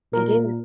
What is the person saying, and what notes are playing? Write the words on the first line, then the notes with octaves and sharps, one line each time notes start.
It is.
A#2 A#4